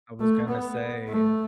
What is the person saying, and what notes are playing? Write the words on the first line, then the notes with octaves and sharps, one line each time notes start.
I was gonna say
A3
B3
A3